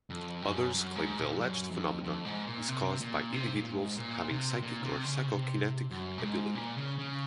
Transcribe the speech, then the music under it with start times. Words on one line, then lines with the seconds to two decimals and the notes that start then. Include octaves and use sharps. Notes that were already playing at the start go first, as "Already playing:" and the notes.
Others claim the alleged phenomenon is caused by individuals having psychic or psychokinetic ability.
0.10 F2
0.42 F#2
0.74 F#2
0.96 G#2
1.18 A#2
1.39 F#2
1.71 F2
2.04 F2
2.25 G#2
2.47 A#2
2.68 C3
3.01 A#2
3.33 C3
3.54 A#2
3.76 G#2
3.97 A#2
4.29 C3
4.62 A#2
4.83 C3
5.04 C#3
5.26 C3
5.91 F#2
6.18 A#2
6.23 G#2
6.55 A#2
6.77 C#3
6.99 C#3